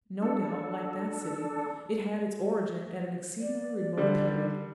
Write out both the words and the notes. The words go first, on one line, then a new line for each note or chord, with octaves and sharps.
No doubt, like that city, it had its origin at an exceedingly remote period.
D4 A4
D5
D3 G3